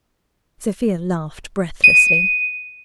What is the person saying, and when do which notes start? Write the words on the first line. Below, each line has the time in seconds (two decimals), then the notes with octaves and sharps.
Sofia laughed breathlessly.
1.84 D#7